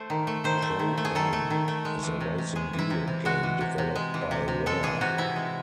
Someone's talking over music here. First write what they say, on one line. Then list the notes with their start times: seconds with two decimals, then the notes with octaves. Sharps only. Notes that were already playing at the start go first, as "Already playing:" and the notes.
Pro-Am is a racing video game developed by Rare.
Already playing: A3 A4 C5
0.10 D#3
0.27 A3
0.44 D#3 C5
0.62 A3
0.79 D#3
0.98 A3
1.05 G#4
1.15 D#3 A4
1.33 A3
1.50 D#3
1.68 A3
1.85 G#3
2.03 E3
2.21 C3
2.38 C3
2.56 G#3 G#4
2.73 E3
2.79 E4
2.90 C3
3.07 C3
3.25 G#3 F#4
3.43 E3
3.61 C3
3.78 C3
3.95 G#3
4.14 E3
4.31 C3
4.48 C3
4.66 G#3 A4
4.83 E3 G#4
5.01 C3 F#4
5.18 C3 E4
5.36 G#3